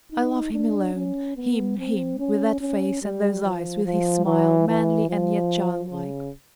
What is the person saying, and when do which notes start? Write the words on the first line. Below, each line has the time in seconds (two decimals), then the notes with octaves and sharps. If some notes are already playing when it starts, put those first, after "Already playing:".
I love him alone, him, him, with that face and those eyes, with his smile, manly and yet childlike....
0.12 D#4
0.54 D4
0.95 C#4
1.36 B3
1.78 C4
2.19 C#4
2.61 C#4
3.02 G3
3.43 F3
3.85 F3
4.26 E3
4.68 E3
5.09 F3
5.92 C#3